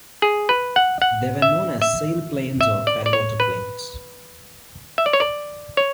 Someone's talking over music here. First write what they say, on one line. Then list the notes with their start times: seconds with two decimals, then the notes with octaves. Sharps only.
They were known as sail planes or fairwater planes.
0.22 G#4
0.49 B4
0.76 F#5
1.02 F#5
1.42 E5
1.82 E5
2.61 E5
2.87 D5
3.06 D5
3.13 C#5
3.40 B4
4.98 E5
5.06 D5
5.13 C#5
5.20 D5
5.77 C#5